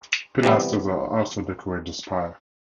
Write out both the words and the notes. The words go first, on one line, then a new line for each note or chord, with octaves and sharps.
Pilasters also decorate the spire.
C3 E3 G3 B3